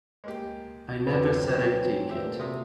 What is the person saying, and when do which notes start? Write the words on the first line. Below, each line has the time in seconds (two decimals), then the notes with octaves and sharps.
I never said I'd take it.
0.24 G#3 A#3 G4
1.07 F2 F#3 C#4 B4
1.32 E3 F#3 C4 F4
2.09 D2 A#2 G4 C5 E5
2.39 C3 D#6